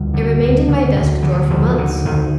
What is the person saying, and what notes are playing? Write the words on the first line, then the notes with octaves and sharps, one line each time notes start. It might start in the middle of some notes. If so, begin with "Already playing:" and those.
It remained in my desk-drawer for months.
Already playing: D2 G3
D3
D2
D3
D2
D3 F#3
F3
F#3
D2 F3
D3 D#3
D2 D#3